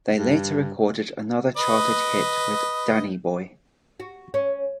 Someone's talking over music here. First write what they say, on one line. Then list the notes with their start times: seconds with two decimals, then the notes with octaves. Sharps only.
They later recorded another charted hit with "Danny Boy".
0.16 G2
1.57 B4 D#5
4.00 F#4
4.34 C#4